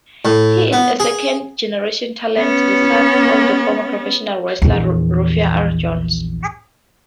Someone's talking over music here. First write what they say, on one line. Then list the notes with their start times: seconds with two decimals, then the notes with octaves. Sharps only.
He is a second-generation talent, the son of former professional wrestler Rufus R. Jones.
0.25 A2
0.73 B3
1.00 G#4
2.38 B3 C#4
4.62 A#1 E2